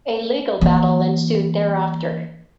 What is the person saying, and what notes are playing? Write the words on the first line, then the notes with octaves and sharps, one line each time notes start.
A legal battle ensued thereafter.
E3 A#3